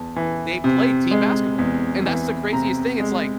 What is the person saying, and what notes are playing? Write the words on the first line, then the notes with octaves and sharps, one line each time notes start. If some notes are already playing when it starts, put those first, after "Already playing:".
they played team basketball, and that's the craziest thing, it's like,
Already playing: E2 A5
E3
C3
G#3
E2
E3
C3 A#5
G#3